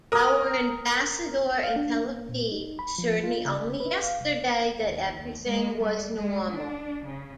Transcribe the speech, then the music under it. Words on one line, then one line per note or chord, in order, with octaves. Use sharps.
Our ambassador in Tel Aviv assured me only yesterday that everything was normal.
A#4 D#6
F5
D4
A#3
A#2
D#4
B5
F3
F4
C#3
B4
F5
C2
D#2
G#3
G3
G#3
D4
C#3